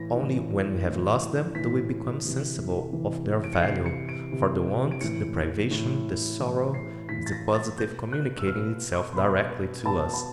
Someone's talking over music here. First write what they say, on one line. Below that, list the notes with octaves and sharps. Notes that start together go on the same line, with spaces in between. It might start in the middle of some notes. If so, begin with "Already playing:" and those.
Only when we have lost them do we become sensible of their value; for the want, the privation, the sorrow, is the positive, communicating itself directly to us.
Already playing: A2 E3 A#6
A2 E3
A2 E3
A2 E3 B6
C3 E3
C3 E3
D7
C#7
C3 E3 C7
C#7
D7
C3 E3
D7
A2 E3 C#7
A2 E3
A2 E3
C7
A2 E3 B6
A6
A#6
A6
B2 G6
F#6
E6
B2 F6
C#6
C6
B2 B5
B2 A5
A5